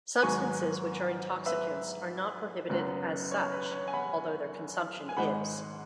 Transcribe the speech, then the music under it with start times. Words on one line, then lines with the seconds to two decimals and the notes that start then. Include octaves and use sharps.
Substances which are intoxicants are not prohibited as such, although their consumption is.
0.22 G#1 G#2 F#3 B3 G#5 C#6
1.46 B4 E5
2.69 F#1 F#2 F#3 B3
3.31 C#5
3.52 B4
3.72 C#5
3.88 G#5
3.93 F#5 B5
5.09 G#5
5.17 G#1 G#2 G#3 F#5 B5